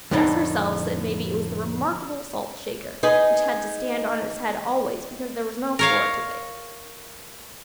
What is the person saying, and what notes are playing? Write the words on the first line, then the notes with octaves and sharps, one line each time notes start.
Jess herself said maybe it was the remarkable salt shaker which had to stand on its head always, because there was no floor to it.
F2 A2 D3 D#3 D4 D#4
D#4 G#4 B4
A#4 C#5 F5